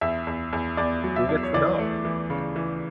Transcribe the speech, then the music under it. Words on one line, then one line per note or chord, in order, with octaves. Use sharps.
Who Gets the Dog?
E2 E5
E2
E2
E2 D5
F#3
E5
E2
C#5
E3 D5
A3
E3
C#3
E3